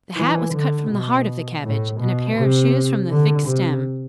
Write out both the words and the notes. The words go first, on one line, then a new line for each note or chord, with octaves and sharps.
The hat was cut from the heart of the cabbage, and a pair of shoes from the thick stem.
E3
D3
B2
A2
B2
C3
D3
C3